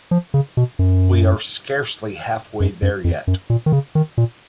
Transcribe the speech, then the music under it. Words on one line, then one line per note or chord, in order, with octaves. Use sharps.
We are scarcely halfway there yet.
F3
C#3
B2
F#2
F#2
F#2
F2
F#2
A#2
D#3
C#3
D#3
A#2